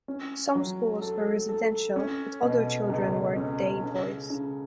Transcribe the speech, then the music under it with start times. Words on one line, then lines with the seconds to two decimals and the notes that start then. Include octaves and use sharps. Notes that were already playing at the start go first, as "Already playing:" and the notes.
Some schools were residential but other children were 'day-boys'.
0.08 C#4
0.55 F#3
1.02 A4
1.49 A4
1.96 C#4
2.42 B2
2.90 C#2
3.36 C#4
3.83 C#3
4.30 C#3